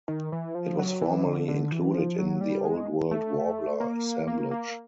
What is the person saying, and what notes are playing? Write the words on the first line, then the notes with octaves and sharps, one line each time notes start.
It was formerly included in the "Old World warbler" assemblage.
D#3
E3
F3
F#3
E3
D3
D3
E3
F3
F#3
G3
G#3
A3
A#3
A#3
A#3